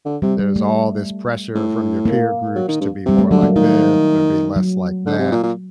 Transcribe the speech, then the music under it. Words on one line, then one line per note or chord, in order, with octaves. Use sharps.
there's all this pressure from your peer groups to be more like this or be less like that,
D3
C3 G3
G3
A3
A2
A#3
F#3
D#3
G2
C3 G3
A3
D3 F#3
A#3
D#3 A3
F#3
D3
C3
A#2
A#2